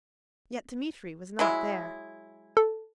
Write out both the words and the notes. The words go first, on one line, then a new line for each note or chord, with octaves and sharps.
Yet Dmitri was not there.
F#3 G#3 E4
A4